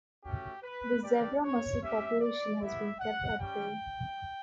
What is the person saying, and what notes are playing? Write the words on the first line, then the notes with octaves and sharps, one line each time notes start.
The zebra mussel population has been kept at bay.
A3 C#4 F#4 G4
B4
G3 D4 G4 D5
C#5
C#4 G4 E5
D5
B3 E4 G4 E5
F#5
G3 C#4 G4 G5